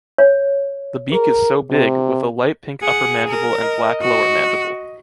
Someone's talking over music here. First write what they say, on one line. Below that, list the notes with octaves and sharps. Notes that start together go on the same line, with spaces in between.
The beak is so big with a light pink upper mandible and black lower mandible.
C#5
G#4 A#4
C3
G#4 F#5
A#4
D#5
F#4